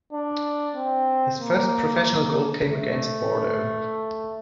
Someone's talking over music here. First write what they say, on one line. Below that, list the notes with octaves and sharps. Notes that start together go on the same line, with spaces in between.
His first professional goal came against Bordeaux.
D4
C4
A#3
A3